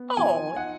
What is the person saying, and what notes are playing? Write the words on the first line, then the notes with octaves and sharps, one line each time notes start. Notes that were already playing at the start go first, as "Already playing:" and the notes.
Oh, it
Already playing: B3
F3 G#5
D#4 F#5